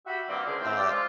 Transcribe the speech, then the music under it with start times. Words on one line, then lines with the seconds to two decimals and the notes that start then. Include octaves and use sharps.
uh, eh,
0.05 F#4 G4 E5 B5
0.28 G2 D#3 G3 A#3 C4
0.45 C#2 D3 G#4 A#4 C5
0.59 E3 A3 C4
0.77 G3 C#4 D5
0.89 F3 G#3 F4